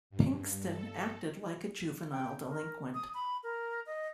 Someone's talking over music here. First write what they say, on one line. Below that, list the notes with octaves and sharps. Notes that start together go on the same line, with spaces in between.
Pinkston acted like a juvenile delinquent.
G2
A4
G5
A#4
D#6
B5
A#4
D#5